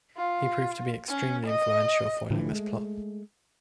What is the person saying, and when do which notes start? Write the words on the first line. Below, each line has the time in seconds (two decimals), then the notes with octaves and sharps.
He proved to be extremely influential foiling this plot.
0.17 F4
1.09 C#4
1.47 D#5
2.31 A2 D3 E3 F3
2.52 G#3 A3